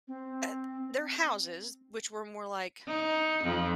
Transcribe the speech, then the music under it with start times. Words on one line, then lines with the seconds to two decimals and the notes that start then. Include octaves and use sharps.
uh their houses, which were more like
0.08 C4
2.87 D#4
3.44 F2